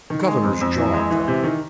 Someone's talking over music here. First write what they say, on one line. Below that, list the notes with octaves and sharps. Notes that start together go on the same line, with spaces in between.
The governor's jaw dropped.
D#3
G#3
F2
F2
E3
G#3
E3
C3
D#3